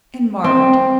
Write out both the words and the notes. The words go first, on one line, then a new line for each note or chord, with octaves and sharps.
And Margaret?
C4